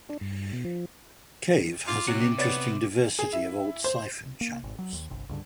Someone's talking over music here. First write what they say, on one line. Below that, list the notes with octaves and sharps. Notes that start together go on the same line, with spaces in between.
Cave has an interesting diversity of old siphon channels.
D4
G2
B2
F3
F4 D6
C3 F#3 C#7 D#7
B3 C#5 D5 A6
G#4
E4
C5
A#3
G#1
F#3
D#2
G1 C2
C#2 G2 D3